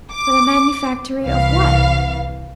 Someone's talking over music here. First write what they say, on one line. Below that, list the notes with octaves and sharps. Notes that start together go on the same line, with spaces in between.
But a manufactory of what?
D6
C2 E3 F5